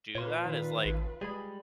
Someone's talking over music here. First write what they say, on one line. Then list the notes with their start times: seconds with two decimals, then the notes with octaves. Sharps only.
do that is, like,
0.15 A#2 F4 B4 C#5 C6
0.45 D#3
0.85 A1
1.21 G3 G#3 G#4 B5